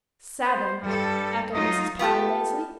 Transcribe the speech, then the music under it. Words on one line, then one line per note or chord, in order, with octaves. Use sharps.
"Seven!" echoed Mrs. Potter, lazily.
C5
G2 G3 A4
F#3 D#4 F4 D#5
B3 F4 G4 A4